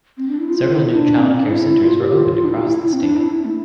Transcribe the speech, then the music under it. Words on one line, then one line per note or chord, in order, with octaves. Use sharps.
Several new childcare centers were opened across the state.
C4
D4
E4
F4
E4
D4
C4
C4
D4
E4
F4
G4
F4
F4
D4
E4
E4
E4
C4
D4
E4
A3